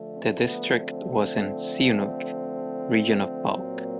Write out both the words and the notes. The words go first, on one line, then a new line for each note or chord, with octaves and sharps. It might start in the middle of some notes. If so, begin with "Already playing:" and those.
The district was in Siunik, region of Balk.
Already playing: D3 F3 A3
C4
B3
C4
A#2 F#3 A#3